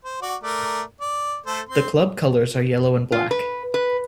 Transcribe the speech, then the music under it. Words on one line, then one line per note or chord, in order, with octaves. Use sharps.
The club colours are yellow and black.
C5
F#4 D5
A3 A#4 D5
D5
A3 A4 C5
C4 C6
F4
B4
B4